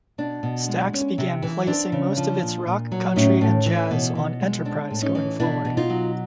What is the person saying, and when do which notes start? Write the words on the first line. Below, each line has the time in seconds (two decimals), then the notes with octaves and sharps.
Stax began placing most of its rock, country and jazz on Enterprise going forward.
0.18 B2 D4
0.43 B2
0.68 G#3
0.93 C#4
1.18 C3
1.42 E3
1.67 C4 D4
1.92 C#3
2.17 F3
2.42 A#2
2.66 A#2
2.92 F#3
3.16 A2 C#4 D#4
3.41 A2
3.66 E3
3.91 B2
4.15 B2
4.41 G#3
4.65 C4 D4
4.91 A2
5.02 C#4 D#4
5.15 E3
5.40 B2 D4 E4
5.65 B2
5.77 D#4 F4
5.90 F#3